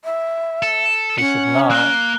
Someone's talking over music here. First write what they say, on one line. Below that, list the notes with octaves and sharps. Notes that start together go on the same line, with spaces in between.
they should not
E5
A4
C#4 F#5
A#3 F#6 G7